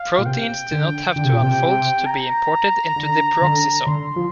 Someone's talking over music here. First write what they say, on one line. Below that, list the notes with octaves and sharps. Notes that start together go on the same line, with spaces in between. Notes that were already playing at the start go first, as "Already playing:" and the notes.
Proteins do not have to unfold to be imported into the peroxisome.
Already playing: F5
A#2
C3 G5
D3
D3
C3
A#2
C3
A#5
D3
D3
D3 C6
F3